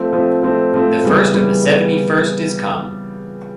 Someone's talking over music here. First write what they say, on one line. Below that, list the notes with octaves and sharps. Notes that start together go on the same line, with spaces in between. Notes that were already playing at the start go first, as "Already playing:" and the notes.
The First of the Seventy-First is come.
Already playing: F3 A3 C4
F3 A3 C4
F3 A3 C4
F3 A3 C4
C#3 E3 G3 B3
C#3 E3 G3 B3
B3